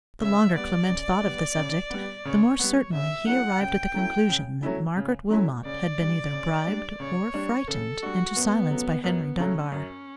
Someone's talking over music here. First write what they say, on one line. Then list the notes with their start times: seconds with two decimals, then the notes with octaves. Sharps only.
The longer Clement thought of the subject, the more certainly he arrived at the conclusion that Margaret Wilmot had been, either bribed or frightened into silence by Henry Dunbar.
0.21 C#3 E5
0.55 G3 B3 D5
0.88 C#3
1.22 G3 B3
1.57 C#3
1.90 G3 B3
2.25 C#3 C#5
2.59 G3 B3
2.92 C#3 E5
3.27 F#3 A3 C#4 E4 F#5
3.60 C#3 G5
3.94 F#3 A3 C#4 E4
4.29 C#3
4.63 F#3 A3 C#4 E4
4.96 C#3
5.30 F#3 A3 C#4 E4
5.64 C#3 D5
5.99 G3 D4
6.33 C#3
6.66 G3 D4
7.00 C#3 C#5
7.34 G3 D4
7.68 C#3 A4
8.02 G3 D4 F#4
8.36 F#2 B3
8.70 C#3 F#3 A3
9.04 F#2 B3
9.38 C#3 F#3 A3 C#4
9.72 F#2